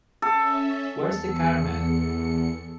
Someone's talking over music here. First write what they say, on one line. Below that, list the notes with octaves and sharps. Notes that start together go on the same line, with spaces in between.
Where's the Caramel?
C#4 A4 E5
E2 C#7